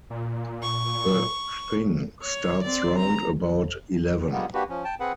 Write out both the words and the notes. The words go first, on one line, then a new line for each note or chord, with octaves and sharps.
The thing starts round about eleven.
A#2
C#6
C#5
C4 D5
A#5
F2 B2
A#2 D3 G3 G#3 A#3 B3
A#3 D4 F#4 G4 B4
F3 C#4
G5 A5
C4 G#4 B4 F#5